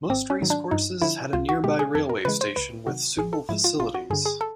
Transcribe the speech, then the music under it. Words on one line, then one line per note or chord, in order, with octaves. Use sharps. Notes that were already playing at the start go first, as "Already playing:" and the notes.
Most racecourses had a nearby railway station with suitable facilities.
G#1 C4
C#4
G#2 D#3 F#3
D4
G2 D#4
D3 F3 E4
C#2 F4
F#4
B2 G#3 G4
G#4
F2 A4
A#4
C#3 E3 G#3 B4
C5
C#2 B4
C3 D#3 F#3 F#4
A1 G#4
A4
G#2 F3 G#3 E4
F4
A1 F4
F#4
G2 D3 G#4
G#4
A4